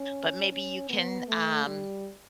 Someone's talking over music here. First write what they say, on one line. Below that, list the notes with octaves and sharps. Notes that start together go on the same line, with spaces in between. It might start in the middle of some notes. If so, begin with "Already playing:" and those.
but maybe you can, um
Already playing: C#4
C#4
B3
A3
G3